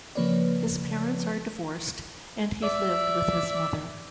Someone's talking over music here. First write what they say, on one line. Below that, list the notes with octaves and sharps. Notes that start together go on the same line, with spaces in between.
His parents are divorced, and he lived with his mother.
C#3 F3 A#3 B4 C#5 D5
D5 E5